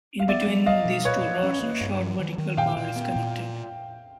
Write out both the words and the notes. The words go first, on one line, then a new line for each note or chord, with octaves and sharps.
In between these two rods, a short vertical bar is connected.
F5
B3 D5 E5
F#3
F#3 D#5 F5
B2
A#2 B4 C#5
F3
C#4
A#3
G2
F#3
D#3
D#3
A#2 F5 G5
A#2
B3
A#2